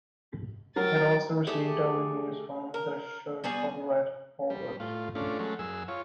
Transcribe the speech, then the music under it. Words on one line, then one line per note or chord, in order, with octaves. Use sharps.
It also received early news from the show's copyright holders.
F#3 A#4 G5 A6
A3 G4 G#4
A#4
G3 B3 F#4 G#4
G3
A2 F4
A3 C#4 D4 F4
F#3 G#3 A3 C#4
F#2 G#4 E6
F4 C#5